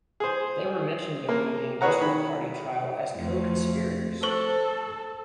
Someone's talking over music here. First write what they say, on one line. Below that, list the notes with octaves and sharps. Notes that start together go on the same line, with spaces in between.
They were mentioned during the "Industrial Party" trial as co-conspirators.
G#4 C5
A#3
G#4 B4 C#5 F#5 A#5
D#3 B5
F2 A3
A4 C5 C#6